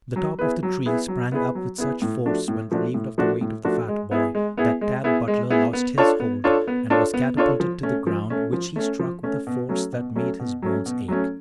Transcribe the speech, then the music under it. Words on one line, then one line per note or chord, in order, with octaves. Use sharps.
The top of the tree sprang up with such force, when relieved of the weight of the fat boy, that Tad Butler lost his hold and was catapulted to the ground, which he struck with a force that made his bones ache.
F#3
B3 E4 G#4 B4
F#3
B3 E4 G#4 B4
F#3
B3 E4 G#4 B4
F#3
B3 E4 G#4 B4
A2
F3 A3 D4 F#4
A2
F3 A3 D4 F#4
A2
F3 A3 D4 F#4
A2
F3 A3 D4 F#4
G#3
B3 E4 G#4
G#3
B3 E4 G#4
G#3
B3 E4 G#4
G#3
B3 E4 G#4
B3
D4 F4 A4 C#5
B3
D4 F4 A4 C#5
B3
D4 F4 A4 C#5
B3
D4 F4 A4 C#5
F3
A3 C#4
F3
A3 C#4
F3
A3 C#4
F3
A3 C#4
B2
F#3 A3 C#4
B2
F#3 A3 C#4
B2
F#3 A3 C#4
B2
F#3 A3 C#4